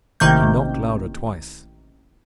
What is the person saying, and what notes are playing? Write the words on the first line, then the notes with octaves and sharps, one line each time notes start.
He knocked louder twice.
A1 C3 D#3 A#3 G6